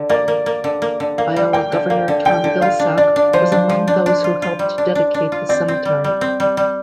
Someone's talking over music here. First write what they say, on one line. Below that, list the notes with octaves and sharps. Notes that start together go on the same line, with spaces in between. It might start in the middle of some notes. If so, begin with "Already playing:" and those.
Iowa Governor Tom Vilsack was among those who helped dedicate the cemetery.
Already playing: D3
A#3 D5
A#3
A#3
D3
A#3
D3
A#3 F5
G3
A#3 G5
D3
A#3 F5
D3
D3 G5
D3
F4 F5
D4
D4 D5
D4
F3 C5
D4
F3
D4
D4
F4
F4
G3
D4
D4
D4
F4
C4 D5
C4
G3
G3
C4
G3
G3